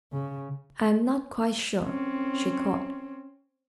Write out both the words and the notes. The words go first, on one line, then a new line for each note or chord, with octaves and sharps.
"I am not quite sure," she coughed.
C#3
C4 C#4